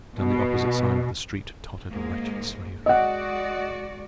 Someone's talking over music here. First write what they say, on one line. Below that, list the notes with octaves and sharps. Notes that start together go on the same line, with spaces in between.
Down the opposite side of the street tottered a wretched slave.
B2
G#2 G#3 A#3
G#3 F#4 D5 D#5 F#5